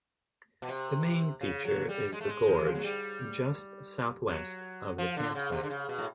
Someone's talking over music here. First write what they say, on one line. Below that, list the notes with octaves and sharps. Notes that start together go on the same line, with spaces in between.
The main feature is the gorge just south west of the campsite.
B2
C3
C#3
F#3
G3
G#3
A3
G#3
D#3
E3
F3
F#3
G3
F#3
F3
D3
C#3
C3
D3
C#3
B2
A2